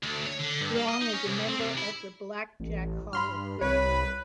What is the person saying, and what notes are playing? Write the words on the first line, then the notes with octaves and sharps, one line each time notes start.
Wong is a member of the Blackjack Hall of Fame.
D2
C#5
D3
G2
A#3
D#5
D#4
C#4
C2
C4
C3
E4
A1
G2 B5 C6 F6
C2 B4 C#5 B5